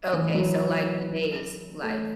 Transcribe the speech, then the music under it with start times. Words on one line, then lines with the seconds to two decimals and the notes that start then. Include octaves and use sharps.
Okay, so, like, today's life?
0.13 E3
0.34 F#3
1.83 A3